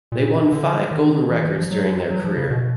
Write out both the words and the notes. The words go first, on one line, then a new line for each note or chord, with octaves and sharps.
They won five golden records during their career.
A#2
D3
D#3
E3
E3
F3
F#3
F#3
F3
C#3
B2